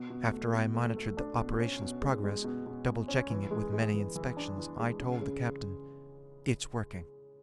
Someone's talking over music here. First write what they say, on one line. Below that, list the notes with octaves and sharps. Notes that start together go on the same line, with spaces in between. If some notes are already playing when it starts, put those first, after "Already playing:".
After I monitored the operation's progress, double-checking it with many inspections, I told the captain, "It's working."
Already playing: B2
B2
A3
B2
A3
A3
D4
B2
C#4
B2
G#3
G#3
B2
B2
B2
C#4
E3
G#3
G#3
E3
E3
D4
E3
G#3
C#3
C#3